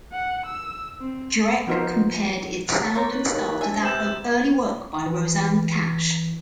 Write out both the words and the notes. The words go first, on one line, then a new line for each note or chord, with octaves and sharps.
Jurek compared its sound and style to that of early work by Rosanne Cash.
F#5
E6
C4
F3 B3 D#4 F#4 A#4 C5
A#3 C5 C#5 A6
B4
D#2
D4 E5 G#5
C3 B4 E6 G6 E7
E3